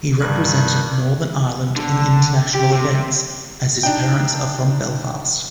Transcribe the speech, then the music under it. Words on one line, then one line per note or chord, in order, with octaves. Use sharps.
He represented Northern Ireland in international events, as his parents are from Belfast.
G2 D#3 G3 F#6 G#6
D3
G4
C3
D4 D#4 G5